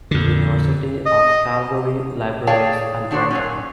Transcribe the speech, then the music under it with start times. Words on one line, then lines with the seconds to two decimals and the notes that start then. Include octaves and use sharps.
The University of Calgary Libraries, Alberta.
0.11 F2 D3
1.06 D#5
2.47 G#4 C#5 D5 F5 G5 A5
3.11 D#3 D4 F#4 C5
3.30 A#2 F#3 C#4